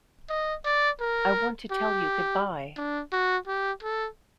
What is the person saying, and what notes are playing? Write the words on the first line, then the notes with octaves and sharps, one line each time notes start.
I want to tell you good-bye.
D#5
D5
A#4
G4
D4
F#4
G4
A4